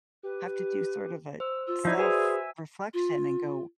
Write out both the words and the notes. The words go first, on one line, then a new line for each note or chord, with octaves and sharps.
have to do sort of a self-reflection and go,
G4 B4
C5 E6
F4 E6
F3 D#4 E4 C5 D5
F#4 G#4 B4 C5 E5 G#5
F4